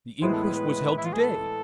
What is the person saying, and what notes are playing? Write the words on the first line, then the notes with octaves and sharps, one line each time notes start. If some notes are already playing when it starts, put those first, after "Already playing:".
The inquest was held to-day.
A2 E3 G#3 B3 C5
A4
B4
B4
E4
F4
G#4
A4